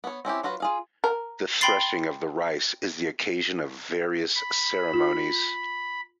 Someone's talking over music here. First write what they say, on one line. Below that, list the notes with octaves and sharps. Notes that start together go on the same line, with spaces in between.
The threshing of the rice is the occasion of various ceremonies.
B3 C#5
C4 C#4 E4 G4
F#3 F4 F#4 B4
F4 G#4 F5
A#4
G5 B5 C6 A6 C7
B5
F4